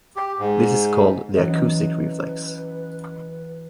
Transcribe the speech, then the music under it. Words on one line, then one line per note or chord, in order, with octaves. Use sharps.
This is called the acoustic reflex.
G4
G#2
E3 F#3 C#4 B4 D#5